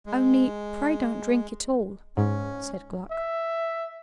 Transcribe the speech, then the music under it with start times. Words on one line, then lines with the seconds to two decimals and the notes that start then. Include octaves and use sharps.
"Only pray don't drink it all," said Gluck.
0.06 G#3
2.17 G#2 C#4
3.11 E5